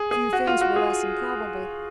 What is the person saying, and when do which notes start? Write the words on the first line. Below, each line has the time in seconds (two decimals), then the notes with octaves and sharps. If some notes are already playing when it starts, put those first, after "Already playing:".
Few things were less improbable.
Already playing: G#4
0.11 G#4
0.33 F#4
0.47 F4
0.61 F#4
0.76 G#4